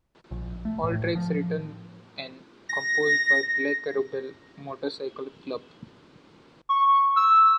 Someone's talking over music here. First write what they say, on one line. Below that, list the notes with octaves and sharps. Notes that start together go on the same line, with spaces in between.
All tracks written and composed by Black Rebel Motorcycle Club.
A#1
A3
A2
F3
A#6
C#6
E6